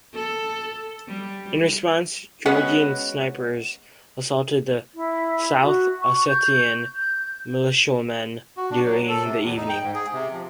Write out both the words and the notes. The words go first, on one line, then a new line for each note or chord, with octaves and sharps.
In response, Georgian snipers assaulted the South Ossetian militiamen during the evening.
A4
G3
G#3 B3 C#4 F#4
E4
F#4
C#6
G6
G6
F#4
D4
F#3
A4
C3
E2
D#4
G5
G#2
G#4
C3
F3